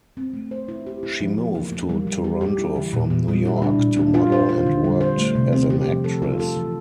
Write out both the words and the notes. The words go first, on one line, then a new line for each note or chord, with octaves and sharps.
She moved to Toronto from New York to model and worked as an actress.
C4
A3
C5
E4
G4
E4
F3
A#3
A#3
A#3
G3
G3
G4
G4
E4
E3
A#2
A#2
G3
E4
D4
A#2
D4
F4
C5
F4
D3
G3
C5
A3
C3
C4
G4
F3
A4
F4
A4
E3